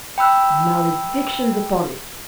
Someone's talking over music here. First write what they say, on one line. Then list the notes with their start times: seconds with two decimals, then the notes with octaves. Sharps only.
Maledictions upon it!
0.18 G5 B5 E6 F#6